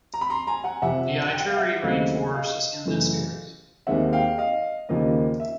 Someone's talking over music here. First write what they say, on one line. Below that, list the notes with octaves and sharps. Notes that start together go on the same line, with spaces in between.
The Ituri Rainforest is in this area.
A#5
B5
A#5 C6
G#5 A#5
F#5 G#5
F2 C3 F3 E5 F#5
G5
F#5
F5
E5 F#5
D#2 C#3 F#3 A3 C4 D#5 F5
D#5 F5
F#2 C#3 E3 A3
D#2 D#3 G#3 C4 E5 F#5
F5 G5
D#5 F5
D#2 C#3 F3 A#3 D#5
E5